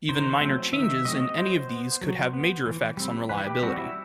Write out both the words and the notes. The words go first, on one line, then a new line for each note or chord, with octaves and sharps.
Even minor changes in any of these could have major effects on reliability.
D#3 C5
F#3 A3 C4
D#3 E5
F#3 A3 C4 D#5
F#3 C5
B3
F#3
B3
E3
G3 C4
E3 B4
G4
G3 C4 F#4
E4